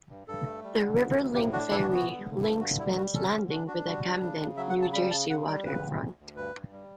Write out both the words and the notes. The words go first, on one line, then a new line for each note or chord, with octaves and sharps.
The RiverLink Ferry links Penn's Landing with the Camden, New Jersey waterfront.
G2
G2 A4
A3
G3
D3
D2
D2
A2 G4
D4 F#4
E3 E4
F#4
B3
F#4
D3
G2
G2 E4
D3 F#4
G3 E4
G3 F#4
C#4 A4
D3
D4 F#4
D4 F#4
G3 F#4
D4
C#3
C#3
F#3 E5
F#5
C#3
A5
G3 B5
C#3 A5
C#3 F#5
G3 G5
C#3 B4
D2
D2
D2
G2 B4
G2
G3